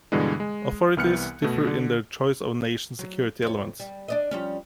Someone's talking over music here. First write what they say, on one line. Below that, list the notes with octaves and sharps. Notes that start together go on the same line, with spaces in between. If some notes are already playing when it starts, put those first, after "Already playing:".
Authorities differ in their choice of nation security elements.
G2 B2 D3 E3 G3 G#3
G#3
C2 E3 B3 F6 F#6 C#7
B2 A3
D3
F#3
F2 C#5
G3
D4 D5 D#5
F3 G3 C#4